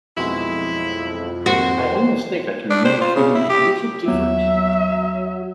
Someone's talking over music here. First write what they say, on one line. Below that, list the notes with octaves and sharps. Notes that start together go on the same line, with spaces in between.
I almost think I can remember feeling a little different.
B1 F2 F#3 G#3 E4
D#2 F#4 C5
D4
C5
F4
C#3
E4
G4
D#2 F#3 B3 E5